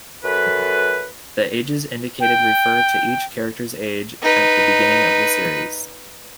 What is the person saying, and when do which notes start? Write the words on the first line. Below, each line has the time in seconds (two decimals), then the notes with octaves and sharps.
The ages indicated refer to each character's age at the beginning of the series.
0.24 F#2 A4 B4
2.20 G5
4.22 D#4 B4